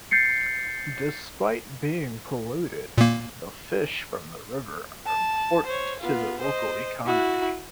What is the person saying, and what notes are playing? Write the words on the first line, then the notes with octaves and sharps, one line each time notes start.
Despite being polluted, the fish from the river are important to the local economy.
G6 A6 C7 C#7
A#2 A#3
A5
C5 C#5
B3 F4
C5 D#5
E4 F#4